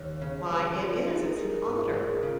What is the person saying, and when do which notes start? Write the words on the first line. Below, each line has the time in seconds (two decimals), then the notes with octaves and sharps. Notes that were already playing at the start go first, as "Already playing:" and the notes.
why it is, it's an otter."
Already playing: D#2 D#4 C#5
0.22 C#3
0.51 G#3
0.79 F3
1.07 D#4 G#4
1.19 A#4
1.30 G#4
1.37 D#4
1.42 A#4
1.53 G#4
1.65 G#2 A#4
1.75 G#4
1.86 A#4
1.94 G#3 G#4
2.22 C#3 F4